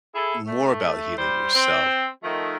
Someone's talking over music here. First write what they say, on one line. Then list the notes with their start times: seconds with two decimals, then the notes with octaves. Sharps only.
more about healing yourself
0.15 E4 G#4 A4
0.46 A3
1.17 G3 C5
1.54 C4
2.23 D#3 F3 A3